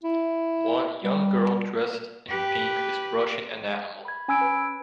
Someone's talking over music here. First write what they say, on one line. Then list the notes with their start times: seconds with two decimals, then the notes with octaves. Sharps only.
One young girl dressed in pink is brushing an animal.
0.04 E4
1.03 G3
2.29 G4 B4
4.05 B5 G#6
4.28 C#4 G#5 B5 E6 G#6 D7
4.41 B4